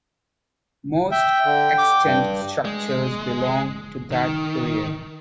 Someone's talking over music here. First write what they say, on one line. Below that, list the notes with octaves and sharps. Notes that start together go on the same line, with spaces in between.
Most extant structures belong to that period.
E5 G5
D3
D6
G2
G#3
D#3